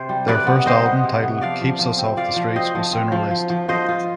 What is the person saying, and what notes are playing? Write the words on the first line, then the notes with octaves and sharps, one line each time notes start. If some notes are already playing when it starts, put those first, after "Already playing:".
Their first album, titled "Keeps Us Off the Streets", was soon released.
Already playing: C3 C5
G3
C3 B4 D5
B3
G3 C5 D#5
B3
C3
B3
F3 D5 F5
F3
F3
C4
F4 D5 F5
F3
C4 C5 D#5
F3
C4
F3
F3
F3
F3 C5 D#5
F4